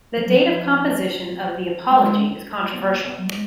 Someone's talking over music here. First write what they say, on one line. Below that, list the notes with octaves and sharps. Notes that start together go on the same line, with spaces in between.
The date of composition of the "Apology" is controversial.
F3
F#3
F3
G#3
B3
A#3
B3
F#3
G#3